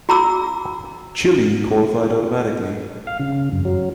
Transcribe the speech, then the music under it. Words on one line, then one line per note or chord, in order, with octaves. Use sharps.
Chile qualified automatically.
F#4 A#5 D6 E6
F5
C#3
F#2
F#3